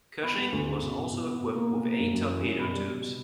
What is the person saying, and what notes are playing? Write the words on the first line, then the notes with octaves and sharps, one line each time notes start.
"Cushing" was also equipped with eight torpedo tubes.
B3 B5
B3
D2
C#3
B2
B2
B2
B3
B2
A#3
B2
A#3
F#2
F#2
E3
F#2
B2 B5
G3
B2
B2